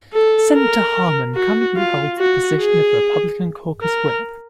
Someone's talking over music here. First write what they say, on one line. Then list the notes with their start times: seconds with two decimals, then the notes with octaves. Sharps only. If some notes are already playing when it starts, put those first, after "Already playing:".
Senator Harman currently holds the position of Republican Caucus Whip.
0.13 A4
0.54 A#4
1.36 F#4
1.78 F4
2.19 F#4
2.60 G#4
3.83 A#4